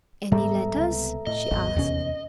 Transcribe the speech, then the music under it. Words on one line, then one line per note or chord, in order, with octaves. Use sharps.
"Any letters?" she asked.
G#2 G3 G#3 B3 A4 E5 A#5
C#2 C3 B3
A2 A3 D#5
G#1 E2 B3
D#2 C3 C#4